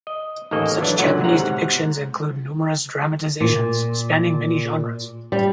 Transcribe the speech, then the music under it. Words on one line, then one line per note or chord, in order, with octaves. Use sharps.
Such Japanese depictions include numerous dramatizations, spanning many genres.
D#5
A1 D#2 D#3 A#3 A4 D#5
E3 F#3 D4
C#2 A#2 D3 F#3 F#5
G#2 C3 F#4 F#5 A#5
A#2
G3